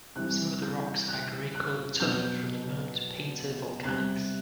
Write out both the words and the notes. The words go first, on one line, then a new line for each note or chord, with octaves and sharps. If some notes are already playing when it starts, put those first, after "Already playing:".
Some of the rocks are grey coloured tuff from the Mount Painter Volcanics.
C3 E3 G3 F#6
G6
F#6
F#6
B2 F#3 G6
C3 G3 F#6